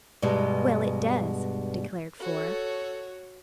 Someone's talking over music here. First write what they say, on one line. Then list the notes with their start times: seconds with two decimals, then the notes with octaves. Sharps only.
"Well, it does," declared Flora.
0.22 G2 B2 G3 G#3 B3
2.19 F#4 A4 C#5